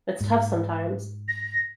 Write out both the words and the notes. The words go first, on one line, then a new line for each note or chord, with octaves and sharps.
It's tough sometimes.
G#2
A#6